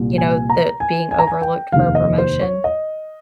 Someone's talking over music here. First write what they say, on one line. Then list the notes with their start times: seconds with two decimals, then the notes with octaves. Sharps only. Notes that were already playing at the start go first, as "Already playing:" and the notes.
you know, the being overlooked for a promotion?
Already playing: C2 A#2
0.18 G#5
0.50 A#5
0.80 G#5
1.11 G#5
1.19 A#5
1.27 G#5
1.42 G5
1.72 F1 D#2 D#3 F5
1.95 D#5
2.18 C5
2.41 C#5
2.64 D#5